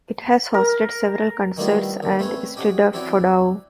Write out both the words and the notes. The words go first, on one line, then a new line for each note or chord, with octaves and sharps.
It has hosted several concerts and eisteddfodau.
A#4
D#3 G3 A3 B3 E4 F4
D#2 D3
A3 C4 C#4 B4 C#5
C#4 G4 D#5 F#5
C4 D4 E4 F#4 C#5 G5